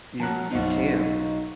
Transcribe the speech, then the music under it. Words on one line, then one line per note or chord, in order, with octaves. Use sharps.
You you can't.
F3 C#4 F#4 A5 A#5 F#6
B1 D#4 F4 F#4 C5